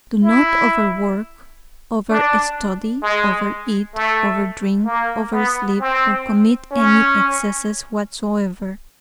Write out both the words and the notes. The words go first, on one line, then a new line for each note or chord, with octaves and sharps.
Do not over-work, over-study, over-eat, over-drink, over-sleep, or commit any excess whatsoever.
E4
D4
G#3
A3
A#3
B3
C4
C#4